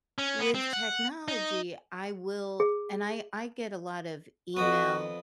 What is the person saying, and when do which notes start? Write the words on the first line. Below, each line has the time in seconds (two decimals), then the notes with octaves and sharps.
With technology, I will and I I get a lot of email
0.18 C#4
0.40 B3
0.55 C4
0.73 F#5
1.28 D#4
2.60 G#4
4.57 F2 B3 F#4